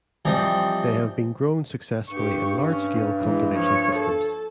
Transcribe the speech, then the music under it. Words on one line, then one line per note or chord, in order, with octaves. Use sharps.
They have been grown successfully in large-scale cultivation systems.
E3 F3 G3 C4 D#4
G2 G4 C#6
C#4
E3 G#3
F3 C#5
A4